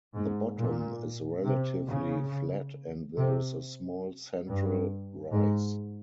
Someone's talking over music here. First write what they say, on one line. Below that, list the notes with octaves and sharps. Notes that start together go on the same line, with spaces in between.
The bottom is relatively flat and there is a small central rise.
G#2
A#2
C3
C#3
C3
G2
G#2